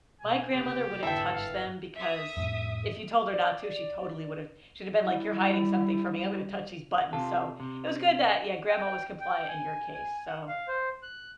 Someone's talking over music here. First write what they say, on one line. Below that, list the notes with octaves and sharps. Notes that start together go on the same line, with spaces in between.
my grandmother would have touched them because if you told her not to, she totally would've She'd have been, like, you're hiding something from me, I'm gonna touch these buttons, so It was good that, yeah, grandma was compliant in your case. So
B2 G#5
F1 C#3 A#3 G4
F2 G#2 D3 E3 A4 E5 G5
G1 F5
E5 D#6
F2 A2
D5
G3 E4
C3 F4 A4
C3
G5
G5
G#5
G#5
F#5
F5
C5
F#6